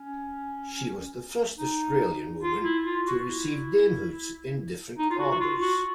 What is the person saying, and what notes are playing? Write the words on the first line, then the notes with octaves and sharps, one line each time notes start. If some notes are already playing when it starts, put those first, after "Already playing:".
She was the first Australian woman to receive damehoods in different orders.
Already playing: C#4
D#4
F4
E4
F4
F#4
E4
D#4
F4
F#4
F#4
F4
F#4